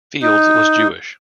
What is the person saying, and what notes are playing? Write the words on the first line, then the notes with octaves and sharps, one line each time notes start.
Fields was Jewish.
D#4